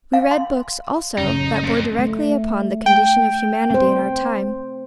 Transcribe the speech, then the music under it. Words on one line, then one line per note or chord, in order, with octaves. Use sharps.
We read books, also, that bore directly upon the condition of humanity in our time.
F5
C6
A1 F#2 C#3 C#4 D#4
F2
A3
G5
C4 C5